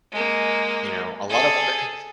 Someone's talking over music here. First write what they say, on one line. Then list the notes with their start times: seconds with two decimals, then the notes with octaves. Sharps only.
you know, a lot of women
0.12 G#3 A#3
1.29 G#4 A4